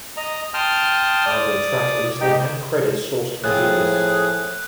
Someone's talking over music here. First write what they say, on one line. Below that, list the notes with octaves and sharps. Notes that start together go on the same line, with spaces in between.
Album track listing and credits sourced from Genius.
D#5 A#5
G5 A5 C6 D#6 F6
D5 D#6
G#2 D#4 G4 G5
A2 F3 C4 G#4 F#6